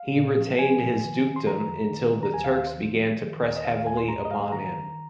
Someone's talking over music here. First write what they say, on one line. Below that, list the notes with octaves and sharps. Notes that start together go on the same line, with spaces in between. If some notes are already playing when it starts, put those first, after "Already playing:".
He retained his dukedom until the Turks began to press heavily upon him.
Already playing: F5
A#2
F3
F3 G#5
F3
D#3
D#3
C6
F3 A#5
F2
D#3
D#3
A#5
D#2 G#5
F5
D#3 F5
C5
F3
F3
D#3
D#2
D#5
D#3 F5
F5
D#2 G#5
C6
G#2 A#5
D#5
G#2 F5
D#3 A#5
D#3